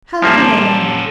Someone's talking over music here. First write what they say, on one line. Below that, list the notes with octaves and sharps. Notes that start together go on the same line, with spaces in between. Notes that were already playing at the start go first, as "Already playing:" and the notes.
"How little they know me!"
F3 G3 A#3 C#4 A4